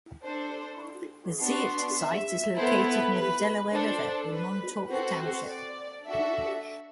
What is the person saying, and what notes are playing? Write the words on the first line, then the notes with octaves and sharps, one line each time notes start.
The Zierdt site is located near the Delaware River in Montaque Township.
D4 A4 C5
B3 D4 F#4 C6
E5
B3 E4 A4 C5
B4
B4
D4 A4 C5
B4
C4 F#4 A4 C5
C5
D5
D4 F#4 A4 E5